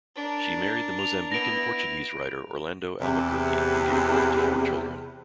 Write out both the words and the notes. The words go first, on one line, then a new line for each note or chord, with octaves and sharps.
She married the Mozambican-Portuguese writer Orlando Albuquerque and gave birth to four children.
D4 A#4
F7
B3 E4 A#6 D7
E2 C3